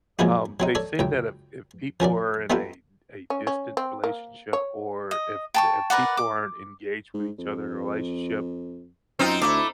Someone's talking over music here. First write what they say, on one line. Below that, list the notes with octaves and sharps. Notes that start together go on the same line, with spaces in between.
Um, they say that if if people are in a a distant relationship, or if the if people aren't engaged with each other in a relationship
F#2 F3 G#3 A#3 D#4 F#4
F#3 C4 D#4
A4 C#5 D5
C#2 F#2 G5
F3 C#4 A#4 D5
G3 B3 D#4 F4 G4 A4
C#4
C#4
C4
A#3
C#5
D#5
G5 A5 C#6
A#4 B4 D5 F#5
D6
G#2
F2
F#2 C4 D#4 F4
D2 A3 E4 D6